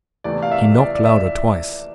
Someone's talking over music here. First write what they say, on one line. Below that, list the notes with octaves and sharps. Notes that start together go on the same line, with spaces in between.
He knocked louder twice.
E2 C3 E3 A3 D5
F5
E5
D5
D5
E5